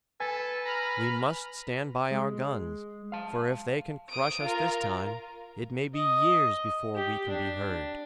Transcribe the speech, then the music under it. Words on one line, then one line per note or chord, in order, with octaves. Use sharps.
"We must stand by our guns, for if they can crush us this time, it may be years before we can be heard."
A4 B4 G#5
A#5 B5 F6
G#3
F5 A5
D#6 D7
F4 A#4
D#5
G4
D4